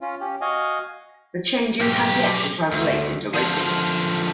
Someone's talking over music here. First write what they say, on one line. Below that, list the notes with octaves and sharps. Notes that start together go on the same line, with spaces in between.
The changes had yet to translate into ratings.
C#4 F4
C#4 G4
F#4 D#5 F5 G#5
B1 G4
D2
D3 F3